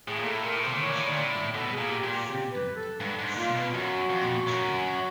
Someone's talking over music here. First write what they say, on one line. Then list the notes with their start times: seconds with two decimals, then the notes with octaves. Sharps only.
Commercial development centered on South Antrim.
0.08 A2 G#4
0.19 A#2
0.26 A2 A4
0.43 A#2 A#4
0.55 A2
0.62 A#2 C5
0.77 A2 C#5
0.89 A#2
1.01 A2 D5
1.11 A#2
1.24 A2
1.30 D5
1.54 B2 A4
1.73 G#4
1.78 A#2
1.90 G4
2.04 A#2
2.10 G4
2.27 G4
2.51 B4
2.76 A4
3.00 G2
3.19 G#2
3.36 A#2 F4
3.55 B2
3.74 F#2 F#4
4.10 F2
4.47 F#2